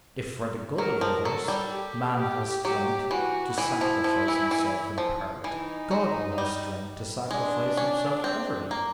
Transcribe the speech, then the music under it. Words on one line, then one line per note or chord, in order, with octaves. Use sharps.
If for the good of others, man has strength to sacrifice himself in part, God will have strength to sacrifice Himself utterly.
F#3 A#4
F3
F#3 A4
G3
G4
G4
F#3 G4
E3 F#4
E3 E4
F3
F3
E3
E3
F3
E3 D#4
F#3
G3
G#3 D4
C#4
C4
A#3